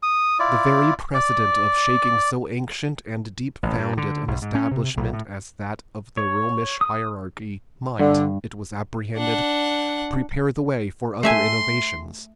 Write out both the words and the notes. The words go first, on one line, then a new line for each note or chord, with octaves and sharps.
The very precedent of shaking so ancient and deep-founded an establishment as that of the Romish hierarchy, might, it was apprehended, prepare the way for other innovations.
D#6
E4 F4 D5
D5
A1
G2
D3
B1
G#2
C#4
C3
B1
A2
C#5
D#6
G2 D3
D4 F#5
A3 E5 G#5 C6